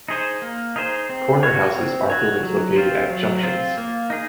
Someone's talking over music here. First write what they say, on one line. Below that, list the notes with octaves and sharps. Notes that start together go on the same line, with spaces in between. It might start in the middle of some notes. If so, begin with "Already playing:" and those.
Corner houses are buildings located at junctions.
D#4 G#4 C5
A#3
D#4 G#4 C5
C4
F#4 C#5
C4
F#4 C#5
F#3
C4 F4 C5
F#3
C4 F4 C5
A#3
D#4 G#4